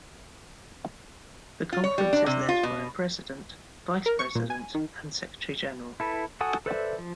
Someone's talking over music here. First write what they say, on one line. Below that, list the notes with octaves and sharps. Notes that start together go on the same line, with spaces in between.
The conference is led by a president, vice president, and secretary-general.
F4
C#5
G3
D4
C3
F4
B2
A#4
C#6
A#2
G#5
D#3
E4 A4 B4
F#4 A4 F#5 G#5 D#6
A4 B4 C5 D5 E5
F3